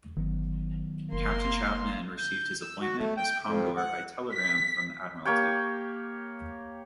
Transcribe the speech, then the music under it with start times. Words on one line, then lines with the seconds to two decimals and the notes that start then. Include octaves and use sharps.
Captain Chapman received his appointment as Commodore by telegram from the Admiralty.
0.17 G1 D#3 F#3 B3
1.13 F#1 A#3 C6
2.18 G6
2.62 E6
2.81 F#4
2.99 A3
3.17 G5
3.46 F2
3.77 F#5
4.33 B6
5.25 A#3 G4 C#5 G5